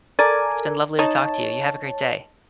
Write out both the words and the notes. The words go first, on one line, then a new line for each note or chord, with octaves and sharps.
It's been lovely to talk to you. You have a great day.
A4 A#4 D5 G#5
D#4 C#5 A5